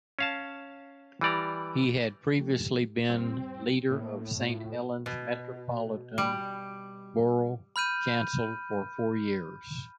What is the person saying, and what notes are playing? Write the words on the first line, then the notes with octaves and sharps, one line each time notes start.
He had previously been leader of Saint Helens Metropolitan Borough Council for four years.
C#4 F5 A5
E3 G3 D5 A#5
F3 A3 G4
F2 A2 G3 C4
A2 A#3
A3 F4
B2
G3
B5 F6 G6 D#7